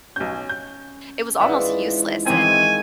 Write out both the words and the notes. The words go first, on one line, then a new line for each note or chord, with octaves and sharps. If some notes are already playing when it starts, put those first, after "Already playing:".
it was almost useless and
B1 C#4 G#5 G6
G6
G#2 E3 F4 D5 E5 F#5
D#3 E3 G#3 C4 G#5 C#6